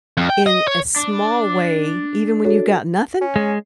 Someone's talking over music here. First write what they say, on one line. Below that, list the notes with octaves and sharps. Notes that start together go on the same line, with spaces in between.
in a small way even when you've got nothing
F2
G5
D#5
C#5
D4
D6
F#4 A4 C#5
C#4
G#3